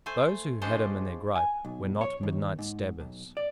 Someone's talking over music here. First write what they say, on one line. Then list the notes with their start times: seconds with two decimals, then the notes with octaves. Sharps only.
Those who had him in their gripe were not midnight stabbers.
0.06 A3 C5 G#5
0.62 F3 G#3 C#4 D4 G4 C5
1.36 G#5
1.65 B1
2.01 C#5
2.23 D#2
2.59 G#2
3.00 B1
3.37 D5